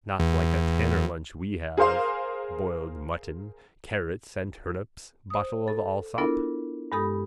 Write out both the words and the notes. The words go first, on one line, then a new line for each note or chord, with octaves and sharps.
Not like a tanner lunch we have, boiled mutton, carrots and turnips, bottle of Allsop.
E2
G#4 A#4 C5 F5 C6
C5 D#6
A4
B3 D4 E4 F4 A4 A#4
G2 G#3 G4 A4 B5 D#6